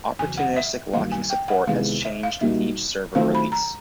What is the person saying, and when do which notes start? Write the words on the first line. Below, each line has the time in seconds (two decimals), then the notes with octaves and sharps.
Opportunistic locking support has changed with each server release.
0.18 E2 C#3 F#3 B3 G#5
0.37 F#5
0.56 E5
0.93 G2 D#3 F#3 A#3 F5
1.12 G#5
1.30 G5
1.48 F#5
1.67 C3 D#3 G#3 B3 E4 F5
2.05 E5
2.23 F5
2.41 A#2 G3 A#3 D#4 F#4 E5
3.15 D#3 F#3 A3 C4 F4 F5
3.35 B5
3.52 A#5